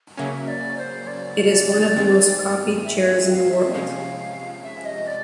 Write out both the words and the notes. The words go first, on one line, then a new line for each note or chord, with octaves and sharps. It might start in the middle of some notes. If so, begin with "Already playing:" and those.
It is one of the most copied chairs in the world.
C#3 F#3 A#3 C#4 E5
D5
C5
D5
G2 D#3 G#3 C4
E5
F5
E5
G5
F5
E5
C3 F3 G#3 C#4 F5
E5
D#5
D5